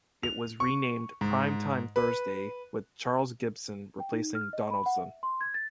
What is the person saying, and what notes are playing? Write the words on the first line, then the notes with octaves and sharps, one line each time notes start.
It was renamed "Primetime Thursday" with Charles Gibson replacing Donaldson.
F7
C#6
G#2
B4
G5
D#4
F6
D#5
B5
F#5
E5
C6
G#6
A6